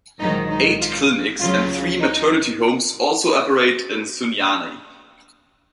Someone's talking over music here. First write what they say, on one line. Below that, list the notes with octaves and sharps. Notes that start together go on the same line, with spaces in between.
Eight clinics and three maternity homes also operate in Sunyani.
A#1 G#2 D#3 F#3 D#4
D#4
F4
C#2 C#3 F#3 F4
D#4